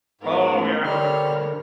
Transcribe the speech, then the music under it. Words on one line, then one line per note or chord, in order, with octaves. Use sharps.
Oh yeah, I know that song,
G#2 B3 A#4
A3 C#4
D3 G3 A4 A#4 C5 C#5 F6